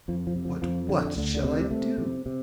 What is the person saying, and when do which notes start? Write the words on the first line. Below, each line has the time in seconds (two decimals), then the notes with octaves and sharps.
'What, what, shall I do!'
0.08 F2 F3
0.27 F3
0.36 C3
0.45 F3
0.62 F2 F3
0.89 D3
1.16 D2 D3
1.34 D3
1.44 C3
1.53 D3
1.62 G3
1.71 C3 A3
1.98 C3
2.26 C3